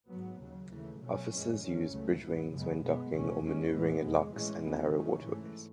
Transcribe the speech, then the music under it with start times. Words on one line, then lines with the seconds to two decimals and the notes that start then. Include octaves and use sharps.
Officers use bridge wings when docking or maneuvering in locks and narrow waterways.
0.10 G#2 F#3 B3
0.40 D#2 C#3 F#3
0.70 D#2 C#3 E3 A3
1.01 B2 F#3 A3 C#4
1.31 F#2 E3 G#3 C#4
1.61 F#2 D#3 F#3 A3 C#4
1.91 C#2 C#3 F#3 A3
2.21 G#2 F#3 B3
2.52 F#2 C#3 G#3 B3
2.82 B2 G#3 B3
3.12 C#2 B2 A3 C#4
3.42 E2 D#3 G#3 C#4
3.72 A2 E3 G#3 B3
4.03 E2 B2 G#3
4.33 A2 E3 G#3 C#4
4.63 D#2 C#3 E3 G#3 B3
4.93 D#2 D#3 A3 C#4
5.24 G#2 E3 A3